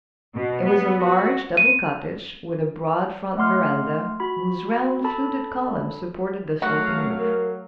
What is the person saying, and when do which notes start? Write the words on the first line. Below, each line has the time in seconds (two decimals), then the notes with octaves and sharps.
It was a large, double cottage, with a broad front veranda, whose round, fluted columns supported the sloping roof.
0.36 B2
0.65 B3
0.98 F#4
1.57 D#7
3.36 A3 D#5 F#5 C6 F6
4.20 F#4 B5
5.04 A4 A5 B5
6.62 F#3 A3 F#4 F5
7.18 A#4